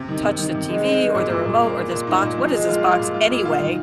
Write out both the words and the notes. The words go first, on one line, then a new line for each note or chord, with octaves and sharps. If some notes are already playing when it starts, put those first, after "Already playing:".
touch the TV or the remote or this box? What is this box anyway?"
Already playing: C3
D#3
C3
D#3
C3
G#3
G#3
G#3
A#2
A#2
A#2
A#3
A#2
A#2
D#4
A#2
F3
G#3
F4
F4
A#2
F4
A#2
F4
D#3